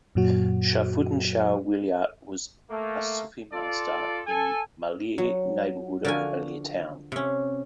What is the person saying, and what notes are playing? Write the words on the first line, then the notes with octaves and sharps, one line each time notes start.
Sharfuddin Shah Wilayat was a Sufi master in Malir neighbourhood of Malir Town.
F#2 A#2 F#3 F#4
A3 A#3
F4 A4 D5
A4 G#5
F#3
D3 F3 F#4 A#4 G#5
C3 C#4